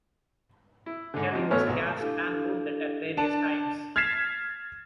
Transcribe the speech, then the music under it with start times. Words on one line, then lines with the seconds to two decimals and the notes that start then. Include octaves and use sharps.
Kelly was gassed and wounded at various times.
0.86 E4
1.14 G#2 D3
1.32 F3 C4 D#4
1.51 G#1 A3 B3 C#5 F6
1.66 B1 G#2
1.98 D4 E4 G4 A4 F5
3.17 D4 A5
3.96 F6 G#6 A6 B6 C7 E7